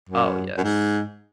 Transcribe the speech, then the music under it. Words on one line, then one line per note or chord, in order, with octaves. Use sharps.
Oh, yes.
F#2
F#2
G#2